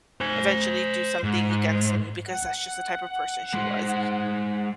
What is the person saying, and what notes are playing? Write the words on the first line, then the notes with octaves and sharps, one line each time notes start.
eventually do something against me because that's just the type of person she was,
C5 G#5
G#2
F#5
G#3 C5